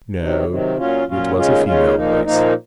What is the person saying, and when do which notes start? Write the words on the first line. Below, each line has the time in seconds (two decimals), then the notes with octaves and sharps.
No, it was a female voice.
0.18 C3 D#3 F#3
0.47 C3 D#3 F#3
0.76 A#2 F#3 C#4 F4
1.06 A#2 F#3 C#4 F4
1.35 D#2 C#3 G#3 C#4 F4
1.65 D#2 C#3 G#3 C#4 F4
1.94 A#2 F3 A#3 D#4
2.24 A#2 F3 A#3 D#4